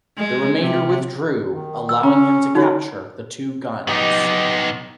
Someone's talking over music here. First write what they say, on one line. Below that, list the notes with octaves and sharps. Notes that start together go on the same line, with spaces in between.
The remainder withdrew, allowing him to capture the two guns.
G#3
C3
D#3
E6
C#4 A#5
D3 D#4 F#4 C#5
B3 D#4 G4 D#5